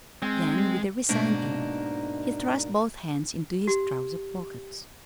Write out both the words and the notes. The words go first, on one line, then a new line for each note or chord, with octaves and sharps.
Then, with a resigned air, he thrust both hands into his trousers pockets.
G#3 C4
G#2 B2 A#3 D4 D#4 A#4
G4